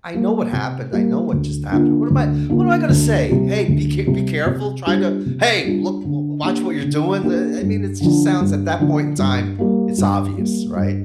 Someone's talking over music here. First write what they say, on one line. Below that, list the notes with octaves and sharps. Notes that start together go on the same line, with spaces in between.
I know what happened, I know what just happened, what am I what am I gonna say? "Hey. Be ca be careful. Try to Hey! Look, w watch what you're doing." Eh eh I mean, it just sounds, at that point in time it's obvious, right?
G3 A#3
C3
G3 A#3
D2
D3 A#3 D4 F4
D2
D3 A#3 D4 F4
D2
C3 G3
D2
C3 G3
C3
G3 D4 F4
C3
G3 D4 F4
D3
A#3 D4 G4
D3
A#3 D4 G4
G2
D3 F3 D4
G2
D3 F3 D4
G2
G3 A#3
G2
G3 A#3
G2